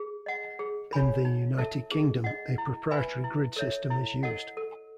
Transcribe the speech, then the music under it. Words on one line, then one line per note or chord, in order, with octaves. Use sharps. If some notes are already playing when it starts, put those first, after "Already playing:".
In the United Kingdom, a proprietary grid system is used.
Already playing: G#4
D#5 F#5
G#4
C#5 G#5 B5
D#4
A4 E5 A5
G#4
D#5 F#5
E4
B4 E5 G#5 B5
E4
A4 C#5 E5
E4
A4 D#5 F#5
A4